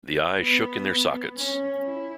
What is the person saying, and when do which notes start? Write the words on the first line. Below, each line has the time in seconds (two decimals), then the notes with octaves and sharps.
The eyes shook in their sockets.
0.39 B3
1.36 C#4
1.84 E4